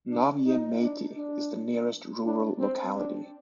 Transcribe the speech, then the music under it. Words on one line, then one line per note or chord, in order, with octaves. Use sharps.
Novye Maty is the nearest rural locality.
D4
D#4
D4
D4
D4
C4
D4